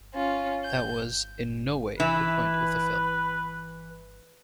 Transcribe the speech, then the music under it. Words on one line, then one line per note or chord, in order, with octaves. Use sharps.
That was in no way the point of the film.
C#4 F4
G6
E3 B4